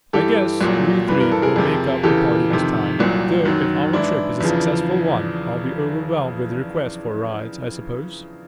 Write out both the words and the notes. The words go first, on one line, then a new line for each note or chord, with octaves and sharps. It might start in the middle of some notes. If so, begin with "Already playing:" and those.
"I guess we three will make up the party this time, though if our trip is a successful one I'll be overwhelmed with requests for rides, I suppose."
G2 E3 G4 A4
C2 A#2 F#3
G2 E3 B4
A#4
A4
G#4 A#4
F2 C3 F3
E2 C#3 E3 G4 A4
F2 C3 D#3
C2 A#2 F#3
F#2 D#3 F#3
G#2 E3 D4 E4
E2 C#3 F3